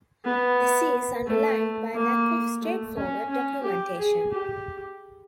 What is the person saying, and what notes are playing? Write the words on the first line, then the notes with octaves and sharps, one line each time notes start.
This is underlined by lack of straightforward documentation.
B3
A3
A#3
A3
C#4
C#4
G4
G#4
G4